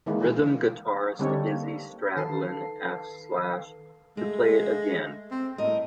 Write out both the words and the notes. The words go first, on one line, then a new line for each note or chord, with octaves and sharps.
Rhythm guitarist Izzy Stradlin asked Slash to play it again.
D#3 E3 G#3 A#3 E4
D3 G3 C4 D4 D#4 C#5
A#3
D#3 A4 B4 A5 C7
G#3 A3
C4
A2 A#4 D#5